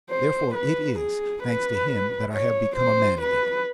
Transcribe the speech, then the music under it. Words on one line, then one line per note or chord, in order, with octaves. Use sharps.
Therefore it is, thanks to him, that I have become a man again.
C5
B4
G#4
B4
C#5
C5
B4